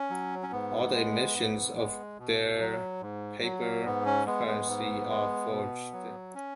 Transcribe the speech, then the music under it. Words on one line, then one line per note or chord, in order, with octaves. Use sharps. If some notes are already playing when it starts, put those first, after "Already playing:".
All the emissions of their paper-currency are forged.
Already playing: C#4
F#3
C#4
G#2 B3
G#3
G#2
G#3
B2
F#3
G#2
F#3
G#2 B3
C#4
G#3 B3
B3
G#2
G#3
B2
F#3
C#4